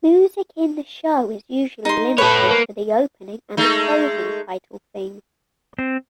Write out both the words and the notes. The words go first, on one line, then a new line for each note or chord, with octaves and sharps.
Music in the show is usually limited to the opening and closing title theme.
D#4 C6
A4 B4 C#5
A#3
G#3 A3 D#4
C4